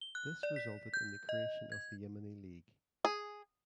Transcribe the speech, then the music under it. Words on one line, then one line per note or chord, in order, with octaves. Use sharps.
This resulted in the creation of the Yemeni League.
G7
F#6
D5
B6
G6
D#5
G#6
G#4